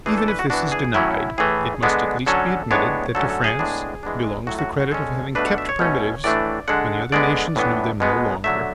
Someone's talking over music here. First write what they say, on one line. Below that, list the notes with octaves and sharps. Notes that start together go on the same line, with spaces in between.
Even if this is denied it must at least be admitted that to France belongs the credit of having kept primitives when the other nations knew them no longer.
E3 A3 D4 G#4
A4
B4
F#4
E3 B3 D4 F#4
G#4
A2 F#3 A3 C#4 E4
A2 E3 A3 G#4
D3 G#3 B3 D4
D3 F#3 C#4 A4
A2 G#3 B3 D4 C#5
D3 F#3 A3 C#4 A4
A4
G#4
A2 G#3 B3 D4
E3 G#3 B3 D4
A2 F#3 A3 F#4
F#4
F#4
D3 G#3 C#4 A4
B2 A3 D4 B4
F#5
E5
C#5
B2 A3 C#4
A2 E3 A3 D4 D5
D3 G#3 D4 F#5
D3 G#3 B3 D5
A2 E3 B3 D4
B2 G#3 B3
D3 F#3 A3 E5